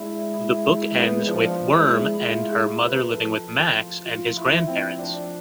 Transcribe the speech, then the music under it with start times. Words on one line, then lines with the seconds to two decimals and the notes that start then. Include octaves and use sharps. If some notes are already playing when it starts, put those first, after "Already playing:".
The book ends with Worm and her mother living with Max and his grandparents.
Already playing: G#3 D4 E4
0.34 E4
0.65 E4
0.95 B3
1.27 F3 D4
1.74 G#3 E4
2.13 E4
2.20 G#3 F4
2.51 G#4
2.82 B4
3.13 F3 A4
3.59 F4
4.06 F4
4.37 E4
4.68 C4
4.99 D4